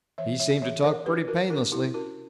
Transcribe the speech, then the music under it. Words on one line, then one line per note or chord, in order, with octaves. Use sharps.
He seemed to talk pretty painlessly.
E3 C#5 E5
C#5 E5
E3 C#5 E5
A#4 C#5
D4 G4 B4
F#4 A#4
D4 F#4 A#4
E4 G4
C#4 F#4 A#4